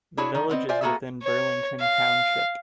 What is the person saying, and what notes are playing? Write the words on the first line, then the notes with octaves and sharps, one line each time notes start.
The village is within Burlington Township.
D4 E4 F#4 G#4 C#5
D#3 F3
B3 C4 D#5
F4 C5 D5 E5 G#5
A#3 B3 F#4 G#4 A4 E5
C#5
F5